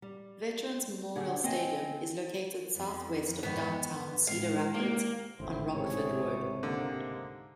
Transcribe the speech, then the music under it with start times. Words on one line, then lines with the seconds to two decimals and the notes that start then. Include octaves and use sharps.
Veterans Memorial Stadium is located southwest of downtown Cedar Rapids on Rockford Road.
0.02 G3
1.16 D3 F#3 D4 G#4
1.44 C4 D#5 G#5
2.75 F2 B3
3.43 G#2 D#3 B3
4.27 A2 G#3 F5
4.74 D#3 A#3 D4
5.40 G#1 C#2 A2 C4 E4 C5
5.74 C3 G#4 C#5
6.63 D3 G#3 A#3 D#4